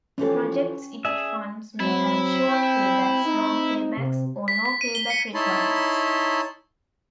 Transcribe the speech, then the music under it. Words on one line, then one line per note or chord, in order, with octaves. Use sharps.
The projects it funds may have short paybacks, long paybacks, or no payback requirements.
E3 F3 C#4 G4 A4
G#4 D5 E5 A5
F#3 C4 E4
G5
C4 D#4
C3
B6
B6
D#7
G7
C#7
D#4 E4 C#5 A5 B5 C6